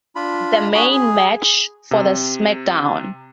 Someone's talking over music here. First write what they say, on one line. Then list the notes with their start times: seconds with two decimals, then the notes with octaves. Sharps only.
The main match for the SmackDown!
0.16 D4 F4 B5
0.74 D4 F#4 G#4 B5
0.91 G#4
1.91 C3